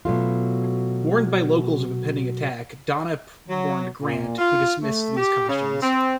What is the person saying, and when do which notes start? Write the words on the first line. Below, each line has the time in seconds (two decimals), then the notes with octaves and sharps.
Warned by locals of impending attack, Donop warned Grant, who dismissed these cautions.
0.05 B2 F#3 A3 F4
3.50 F#3
4.00 A#2
4.39 F4
4.81 A3
5.16 G4
5.48 C#3
5.82 C4